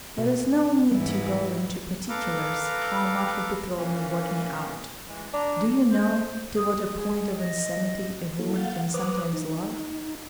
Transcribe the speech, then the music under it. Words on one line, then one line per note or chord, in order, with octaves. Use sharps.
There's no need to go into particulars how Marfa Petrovna bought me out; do you know to what a point of insanity a woman can sometimes love?
B2
G#2 E3 G3
A4 B4 F5 A#5 D6
E3 A#3 C#4
E3 G#3
D4 A#5
C5
D#6
G#4
D#5
A#3 E4 F#4 A4
F5 F#5 F6 G6 A6
B4 C5 D6 D#6 F6 F#6
D#4